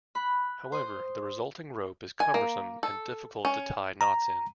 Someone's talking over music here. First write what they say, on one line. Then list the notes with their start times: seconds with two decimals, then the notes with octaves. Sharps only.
However, the resulting rope is cumbersome and difficult to tie knots in.
0.15 B5 F#6
0.72 C5 C6 D#6
2.20 G#5
2.34 A#3
2.83 A4
3.45 C#4
4.01 A#5